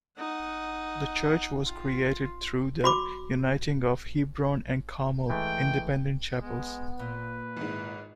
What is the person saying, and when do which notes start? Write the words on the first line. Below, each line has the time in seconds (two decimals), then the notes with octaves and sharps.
The church was created through the uniting of Hebron and Carmel Independent Chapels.
0.18 D#4 F#5
1.64 F4
2.84 F#4 B5 D6
5.30 E3 G#3 A3 G5
6.41 G#3 B3
6.99 A#2 B4
7.57 G#1 G#2 E4